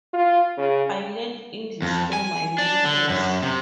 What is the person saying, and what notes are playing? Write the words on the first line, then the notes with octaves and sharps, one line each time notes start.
I learned English through my mentors.
F4
C#3
F2
G#5
D4
D3
F#2
C3